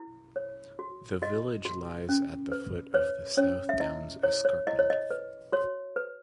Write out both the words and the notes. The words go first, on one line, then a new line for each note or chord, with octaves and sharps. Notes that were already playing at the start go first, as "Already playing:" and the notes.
The village lies at the foot of the South Downs escarpment.
Already playing: E4
C#5
F#4
F#4 D#5
F#4
C#4
B4
B4 C#5
C#4 C#5
E5
E4 D#5
E4 C#5
C#5
E4 D#5
C#5
D#5
B4
F#4 C#5
B4